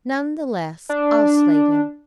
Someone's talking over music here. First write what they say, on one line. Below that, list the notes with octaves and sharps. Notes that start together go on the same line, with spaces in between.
None the less I'll slate him.
D4